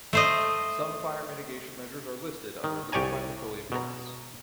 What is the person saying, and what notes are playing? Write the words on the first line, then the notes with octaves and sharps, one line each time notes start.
Some fire mitigation measures are listed under liquefied petroleum gas.
A3 C5 D#5
D#3
C2 G4 C#5 D5 G#5 A#5
B2 A#5